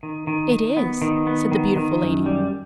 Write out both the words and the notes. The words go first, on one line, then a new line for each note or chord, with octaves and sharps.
"It is," said the beautiful lady.
D#3
D#3
D#3
B3
D#3
B3
D#3
D#3
F#2
G3